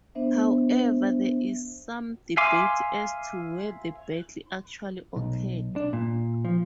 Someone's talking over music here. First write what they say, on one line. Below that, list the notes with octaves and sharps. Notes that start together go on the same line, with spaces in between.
However, there is some debate as to where the battle actually occurred.
B3 D4 C5 E5
E5 F5 G#5 C6 D6
B1
D4
A#2
F3